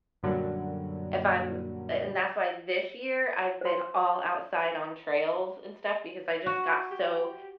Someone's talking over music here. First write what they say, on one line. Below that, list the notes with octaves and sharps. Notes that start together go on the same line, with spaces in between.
if I'm a and that's why this year, I've been all outside on trails and stuff because I just got so
F#2 A#2 D3 F#3 G3
C5 C6
F#4
G4